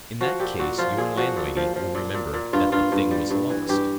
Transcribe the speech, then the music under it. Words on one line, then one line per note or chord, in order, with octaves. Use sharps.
"In that case your landlady will remember that the thing was lost?"
F3 F#4
A#2 G4
A#2 F#4
F3 F4
A#2 G#4
F3 F#4
A#2
F3
F3
A#2
A#2
A#2
G2 F4
G2 F4
G2
G3
G2
E3
G2 G4